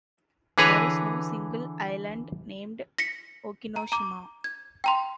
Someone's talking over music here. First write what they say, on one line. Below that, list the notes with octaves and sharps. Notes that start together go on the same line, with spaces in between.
There is no single island named Okinoshima.
D3 E3 G#4 B4 C#5 A#5
A#6 B6 C#7
A#5
A#5 D6
G#6
G5 A#5 C6